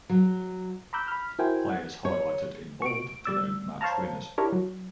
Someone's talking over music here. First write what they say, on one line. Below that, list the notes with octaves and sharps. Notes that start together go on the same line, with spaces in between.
Players highlighted in bold denote match winners.
F#3
A#5 B5 D6 E6 F#6 G6
B5 F6
E4 F#4 A#4 C5 G5 G#5
F#5
C#5
C#6 D7
G3 D5 E6
C5 C#5 F5 A5 A#5
D4 E4 G4 A#4 C#5
F#3